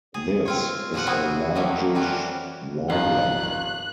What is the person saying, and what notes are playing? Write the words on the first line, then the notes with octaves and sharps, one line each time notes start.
This is a largish warbler.
G#4
C4 F4 C#5
A#2 F3 F4 F#5
C3 B3 E4 F#4 G#4
D#3 F3 F#3 A3 A#3
E3 G3 F4 F#4
G#1 D#2 F3 F5 F#6